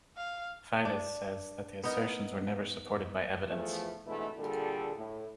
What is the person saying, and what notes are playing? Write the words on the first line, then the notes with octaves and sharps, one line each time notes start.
Fiddes says that the assertions were never supported by evidence.
F5
D4
B3 D#4 A#4
E2 F3 A3
G#2 B2 E3 A3 D4 E4
A#2 D3 G3 G#4 A4
A2